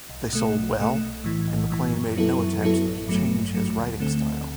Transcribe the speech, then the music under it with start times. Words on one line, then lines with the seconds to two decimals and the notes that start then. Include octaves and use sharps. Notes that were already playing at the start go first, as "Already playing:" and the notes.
They sold well, and MacLean made no attempt to change his writing style.
0.09 B1
0.33 B2 A3
0.55 B1
0.79 B2 A3
1.01 B1
1.24 A2 E3
1.47 B1
1.70 A2 E3
1.93 F#2
2.16 F#3 B3 E4 A4
2.39 F#2
2.62 F#3 B3 E4 A4
2.86 A1
3.08 G2 F#3 A3
3.31 A1
3.54 G2 F#3 A3
3.77 D2
4.00 D3 A3 C4
4.23 D2